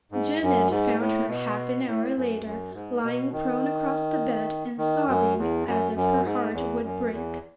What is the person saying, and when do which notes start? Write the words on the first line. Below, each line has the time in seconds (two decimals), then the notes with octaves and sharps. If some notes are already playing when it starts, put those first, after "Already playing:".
Janet found her half an hour later lying prone across the bed, and sobbing as if her heart would break.
0.12 G#2
0.42 F#2
0.70 G#2
1.00 A2
1.28 B2
1.87 A2
2.16 F#2
2.45 F#2
2.74 G#2
3.04 B2
3.32 D#3
4.78 D#3
5.08 F#2
5.37 E2
5.66 F#2
5.95 F#2
6.24 G#2
6.53 E2
6.83 F#2
7.12 E2